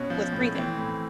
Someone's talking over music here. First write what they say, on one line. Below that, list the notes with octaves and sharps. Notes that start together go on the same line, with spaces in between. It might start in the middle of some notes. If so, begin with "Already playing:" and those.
with breathing.
Already playing: B2 C#4
F3
A2
E3 C4
A2